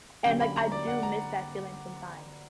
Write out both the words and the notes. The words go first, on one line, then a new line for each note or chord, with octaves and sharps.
and, like, I do miss that feeling sometimes
D3 F#3 A#3 C#4 G4 G5
B5
A#5
D5
F#5
A#5